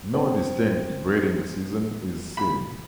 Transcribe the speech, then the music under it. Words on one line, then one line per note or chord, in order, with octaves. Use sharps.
No distinct breeding season is seen.
C4
B5